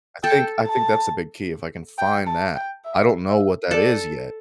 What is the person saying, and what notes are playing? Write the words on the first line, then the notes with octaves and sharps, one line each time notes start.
I think I think that's a big key if I can find that. I don't know what that is yet.
A4 G5
A5
G5
A5
G5
E5
E5
A4 D5